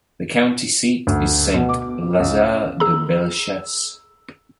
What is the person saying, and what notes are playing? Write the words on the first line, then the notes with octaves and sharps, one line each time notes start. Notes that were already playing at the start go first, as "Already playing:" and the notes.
The county seat is Saint-Lazare-de-Bellechasse.
D2
B2
D6
C#2
G#4 A#5 E6